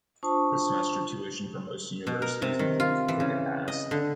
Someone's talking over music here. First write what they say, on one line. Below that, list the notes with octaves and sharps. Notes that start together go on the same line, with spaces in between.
The semester tuition for most universities include the ticket pass.
D4 F4 C5 A5 C#6 D#6
B2
A#4
C3
D#3
F4
E3
C#3
D#5
D3